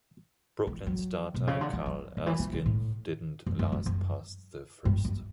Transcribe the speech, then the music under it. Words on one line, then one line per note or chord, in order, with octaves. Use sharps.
Brooklyn starter Carl Erskine didn't last past the first.
E3
F#3
B2
C#3
D3
E3
F#3
D3
E3
D3
C#3
A2
F#2
F#2
F#2
F#2
G2
F#2